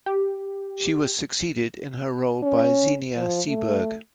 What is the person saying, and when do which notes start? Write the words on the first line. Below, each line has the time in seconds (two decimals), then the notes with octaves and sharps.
She was succeeded in her role by Xenia Seeberg.
0.06 G4
2.43 C#4
3.17 F3
3.48 A3